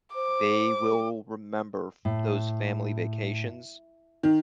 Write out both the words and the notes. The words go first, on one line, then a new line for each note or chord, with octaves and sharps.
they will remember f those family vacations,
C5 D6
A2
D#3